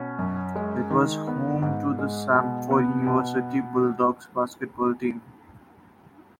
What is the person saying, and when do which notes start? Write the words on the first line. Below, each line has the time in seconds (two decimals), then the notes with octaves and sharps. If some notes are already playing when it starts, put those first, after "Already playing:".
It was home to the Samford University Bulldogs basketball team.
Already playing: B2 C#4
0.19 F#2
0.56 G#3
0.90 D#3
1.27 B3
1.62 G#2
1.99 G#3
2.35 B2
2.71 B3
3.07 B2